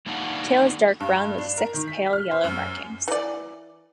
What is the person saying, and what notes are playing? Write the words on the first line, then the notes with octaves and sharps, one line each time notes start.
Tail is dark brown with six pale yellow markings.
A3 A#3 D4 D#4 F5 F#5
G2
D4
A#4
D#3
B6
F6
C5
F#2
E3 D5